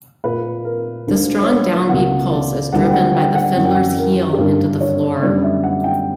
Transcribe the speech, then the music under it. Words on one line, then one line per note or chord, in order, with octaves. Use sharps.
The strong downbeat pulse is driven by the fiddler's heel into the floor.
A#2 A#3 B4
A#4
D2 D3 A#3
C#5
B4
C#2 B2 A#3 F#5
D5
D2 D3 G3 A#3 F#5
G5
F#5
G5
F#5
F#2 E3 A#3 F#5
G5
F#5
A#4
G4
G2 D3 G3 A#4
C#5
F#2 D3 G3 B3 D5
E5
F#5
G5